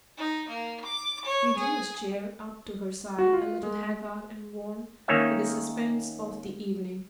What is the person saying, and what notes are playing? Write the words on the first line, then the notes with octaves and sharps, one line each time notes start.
He drew his chair up to her side, a little haggard and worn with the suspense of the evening.
D#4
A#3
D6
C#5
G#4
F#4
F4
G#3
D#3 A#3 C#4 D#4 C#5 E5